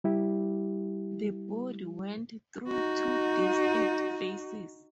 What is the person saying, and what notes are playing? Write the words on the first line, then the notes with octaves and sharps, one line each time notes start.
The body went through two distinct phases.
G3 E4 G4
D#4 F#4